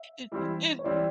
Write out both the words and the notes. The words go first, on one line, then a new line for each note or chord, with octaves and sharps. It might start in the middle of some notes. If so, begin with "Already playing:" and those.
It it
Already playing: E5
E3 G3 C4 E4
C#5
E3 G3 C4 E4 D5